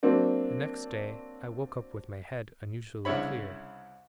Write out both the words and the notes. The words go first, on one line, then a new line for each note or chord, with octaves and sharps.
THE NEXT DAY I woke up with my head unusually clear.
F#3 A#3 C4 D4
C2 C#3 D4 E4 C#5 B5